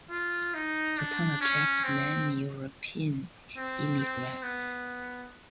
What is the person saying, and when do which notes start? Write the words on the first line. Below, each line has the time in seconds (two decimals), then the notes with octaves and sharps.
The town attracted many European immigrants.
0.10 F4
0.54 D#4
0.97 D4
1.41 C#4
1.83 C4
3.57 C4
3.99 C4
4.43 B3